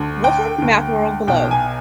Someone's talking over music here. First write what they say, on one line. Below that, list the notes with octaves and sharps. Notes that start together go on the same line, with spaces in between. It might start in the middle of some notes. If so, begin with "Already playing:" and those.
Wolfram MathWorld below.
Already playing: D2 D3
G5
D2 D3
B1 B2 G5
G#5